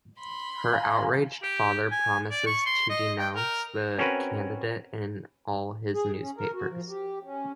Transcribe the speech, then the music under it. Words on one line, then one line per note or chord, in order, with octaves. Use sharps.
Her outraged father promises to denounce the candidate in all his newspapers.
B5 C6
F5 G#5 A#5
G4
G#5
D5
C#6
C6
D#5
G5
A#4
C4 C#4 F#4 A#4 B4
G#4
C#4
A#4
F#4
F3
G4
C#4